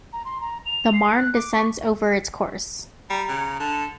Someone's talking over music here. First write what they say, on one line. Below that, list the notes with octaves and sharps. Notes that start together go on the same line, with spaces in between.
The Marne descends over its course.
A#5
C6
A#5
F7
C7
F#6
D6
C#6
G3 A#5
C#3
D3 A5